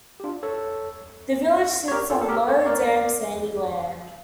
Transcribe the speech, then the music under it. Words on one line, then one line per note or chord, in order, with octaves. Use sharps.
The village sits on low, damp, sandy land.
G4
D4 F4
A4 C#5
C#5
G4 A#4
F4 A4
A4
G4 A#4
A4 C#5
C#5
A#4 D5